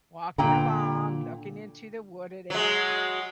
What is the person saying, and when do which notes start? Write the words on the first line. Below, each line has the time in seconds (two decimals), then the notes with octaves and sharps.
walking along, looking into the wooded areas,
0.38 A#2 D3 G5 A#5
2.50 F#3 G#3